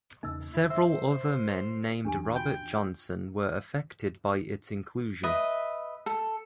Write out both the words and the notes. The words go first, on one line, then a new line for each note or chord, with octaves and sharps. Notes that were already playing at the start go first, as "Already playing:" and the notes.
Several other men named Robert Johnson were affected by its inclusion.
E2 C#3 A#3 D#4 D#5 E6
F#1 E4
C5 E5 E6
E2 D4 G4 G#5
F4 F#4 G5
B4 D#5 E5
A4